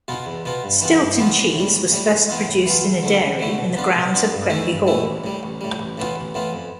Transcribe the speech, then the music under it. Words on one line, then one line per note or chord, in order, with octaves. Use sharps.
Stilton cheese was first produced in a dairy in the grounds of Quenby Hall.
B2 B3 F4
E2
B2 B3 F4
G2
E3 B3 F4
G2
E3 B3 F4
A1
A2 G3
A1
A2 G3
A2
E3 B3 F4
A2
E3 B3 F4
E2
D3 A3 E4
E2
D3 A3 E4
B2
B3 D4 F4
B2
B3 D4 F4
G2
E3 A3 E4
G2
E3 A3 E4
A1
A2 G3
A1
A2 G3
A1
A2 E3 B3 F4
A1
A2 E3 B3 F4
F2